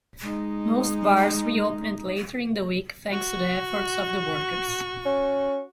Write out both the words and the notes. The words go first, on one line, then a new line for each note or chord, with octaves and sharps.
Most bars re-opened later in the week thanks to the efforts of the workers.
G#3 D#4
F#4 C#6
C#4